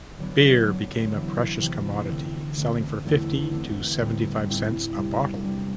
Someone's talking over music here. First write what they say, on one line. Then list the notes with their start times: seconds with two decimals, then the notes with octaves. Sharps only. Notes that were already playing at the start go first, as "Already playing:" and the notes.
Beer became a precious commodity, selling for fifty to seventy-five cents a bottle.
0.17 D3 F#3 B3 D4
0.66 D3 F#3 B3 D4
1.14 C3 E3 B3
1.61 C3 E3 B3
2.09 D3 A3 C4
2.57 D3 A3 C4
3.05 E2 D3 A3 C4
3.51 E2 D3 A3 C4
4.01 A2 G3 C4 E4
4.48 A2 G3 C4 E4
4.96 C3 G3 D4
5.44 C3 G3 D4